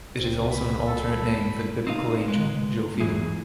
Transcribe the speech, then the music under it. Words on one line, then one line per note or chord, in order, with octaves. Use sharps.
It is also an alternate name for the biblical angel Jophiel.
C#2 C3 C4
B5
A4
C4 D#4 B4 F5
G#3 B4
B1 E2 E3 F#3 E4 G#4